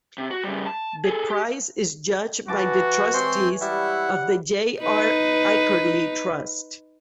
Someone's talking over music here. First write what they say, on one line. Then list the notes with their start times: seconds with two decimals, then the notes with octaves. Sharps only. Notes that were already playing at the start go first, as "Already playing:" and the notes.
The prize is judged by the trustees of the J. R. Ackerley Trust.
0.18 C3
0.31 F#4
0.44 C#3 G3
0.66 A5
1.05 G#4 A4
1.29 G4
2.48 E3 F#4 A5 D6
3.14 G#3 C4 C5 C#5 C6
3.61 G3 E4 E5 F#5
4.81 D#4 B4